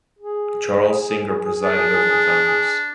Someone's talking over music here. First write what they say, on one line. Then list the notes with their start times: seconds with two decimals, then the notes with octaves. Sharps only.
Charles Singer presided over the congress.
0.19 G#4
1.64 D4